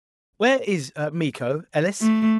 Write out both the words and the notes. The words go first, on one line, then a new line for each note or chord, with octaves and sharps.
"Where is Miko, Ellis?"
A3